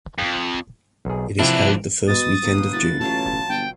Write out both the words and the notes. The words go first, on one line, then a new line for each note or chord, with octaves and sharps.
It is held the first weekend of June.
F2
B1 G#4
C3 E3 F3 D4 E4
B2 D#6 A6
G1 B2 A#3 B4
E4 F#4 A6
A1 F#3 F4 C#5 A5
G1 G5